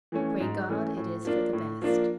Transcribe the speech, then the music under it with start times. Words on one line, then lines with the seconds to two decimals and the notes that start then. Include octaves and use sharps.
"Pray God it is for the best."
0.12 E3 A3 C#4
0.40 G#2
0.69 E3 A3 C#4
0.96 A2
1.25 F3 A#3 D4 F4
1.53 A2
1.82 F3 A#3 D4 F4